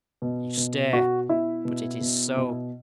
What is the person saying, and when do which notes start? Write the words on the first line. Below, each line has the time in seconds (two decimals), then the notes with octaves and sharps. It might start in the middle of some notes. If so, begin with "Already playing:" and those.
You stare. But it is so.
0.22 B2
0.57 B2
0.93 B2 F#4
1.29 B2 E4
1.65 B2
2.01 B2
2.37 B2